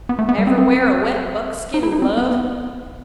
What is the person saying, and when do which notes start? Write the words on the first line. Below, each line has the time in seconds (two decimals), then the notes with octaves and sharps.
Ever wear a wet buckskin glove?
0.09 B3
0.19 A3
0.29 B3
0.38 G3
0.47 C4
0.58 C4
1.74 D#4
1.83 E4
1.92 D#4
2.02 C4
2.18 B3
2.31 B3